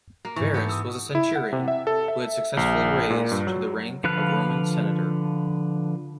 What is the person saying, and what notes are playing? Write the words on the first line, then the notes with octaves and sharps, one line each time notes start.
Verus was a centurion, who had successfully raised to the rank of Roman Senator.
A#3
G#2 E3 C#6
B3 G4 A4
D#6 E6
E4
F#5
C3
E5
A4
E5
A#1
A#2
G2
F#3
D3 F3 B4 F5 F#6